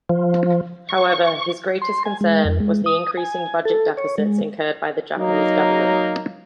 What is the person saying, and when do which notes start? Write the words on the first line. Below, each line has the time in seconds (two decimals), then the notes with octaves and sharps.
However, his greatest concern was the increasing budget deficits incurred by the Japanese government.
0.09 F3
0.89 C#6
1.82 C6
2.05 G#5
2.21 G#3
2.45 F2
2.60 G#3
2.86 D#6
3.17 G#5
3.65 A4
3.97 C#5
4.18 G#3
5.18 F#3 A#3 D#4